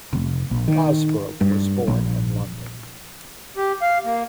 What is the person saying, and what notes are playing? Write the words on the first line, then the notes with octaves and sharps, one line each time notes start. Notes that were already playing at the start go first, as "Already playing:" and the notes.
Fosbroke was born in London.
F1
A#1
D#3
G2
A#1
G4
F5
A#3